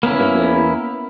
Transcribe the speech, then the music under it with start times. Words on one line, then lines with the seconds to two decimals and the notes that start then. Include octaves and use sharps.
And then
0.03 A#3 B3 C#4 E4